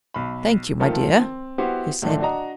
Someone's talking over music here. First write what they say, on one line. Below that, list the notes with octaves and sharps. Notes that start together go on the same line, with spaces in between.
"Thank you, my dear," he said.
B1 B5
D#3 F3 A3 F4 A4 A#4
C4
B3 E4 F#4 G4 C5
A2 D3 D#3 F3 A3 D4
D4 F#4 D#5 A#5